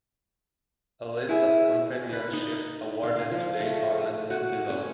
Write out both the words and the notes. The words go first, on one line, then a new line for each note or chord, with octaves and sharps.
A list of companionships awarded to date are listed below.
E4 G#4 E5
B4
D#4
F5
F5
F3
A3
F#4
C#4